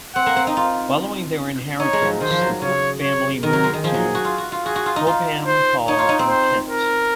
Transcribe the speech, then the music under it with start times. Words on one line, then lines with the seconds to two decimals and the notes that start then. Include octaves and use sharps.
Following their inheritance the Brooke family moved to Cobham Hall in Kent.
0.15 C4 F#5
0.26 A#3
0.36 C4
0.47 D#4
0.57 F4
1.80 D#4 C#5
1.93 G#3
2.02 F3
2.07 F#3
2.21 D#3 C5
2.31 F3
2.41 F#3
2.62 C#3 C#5
3.02 C#5
3.43 D#3 A#4
3.53 F#3
3.64 G#3
3.73 D#3
3.83 F3 G#4
3.94 F#3
4.15 F#4
4.25 F4
4.38 F#4
4.52 F4
4.66 F#4 G#4
4.76 F#4
4.86 F4
4.96 D#4
5.07 F4
5.47 C5
5.88 D#4 C#5
5.98 F4
6.09 D#4
6.19 C4
6.28 C5
6.69 A#4